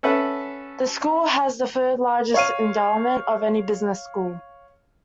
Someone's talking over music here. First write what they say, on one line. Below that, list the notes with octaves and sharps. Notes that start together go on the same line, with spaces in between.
The school has the third-largest endowment of any business school.
C#4 A4 B4 E5 F#5
C#5 F5 D#7